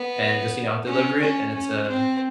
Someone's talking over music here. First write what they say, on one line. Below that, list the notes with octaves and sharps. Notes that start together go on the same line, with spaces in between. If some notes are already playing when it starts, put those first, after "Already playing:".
and just, you know, deliver it and it's, uh
Already playing: B3
C#4
C#4
C#4
C4